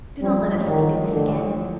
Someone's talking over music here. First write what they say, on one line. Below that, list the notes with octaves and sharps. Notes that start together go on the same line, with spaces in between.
Do not let us speak of this again.
F3 G3
G2
A1
A1 D#3
F3
G2
A1 D3
A1
F3